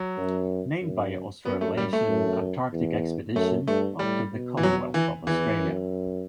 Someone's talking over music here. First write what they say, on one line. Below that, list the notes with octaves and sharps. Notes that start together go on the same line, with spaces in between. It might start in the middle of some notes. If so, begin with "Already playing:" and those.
Named by Australasian Antarctic Expedition after the Commonwealth of Australia.
Already playing: F#3
F#2
F#2
F#2 B3
A3
G3
A3
F#2
E2
F#2 A3
G2 A3
A2 G3
B2
E3
F#3
E3
E2 E3
F#2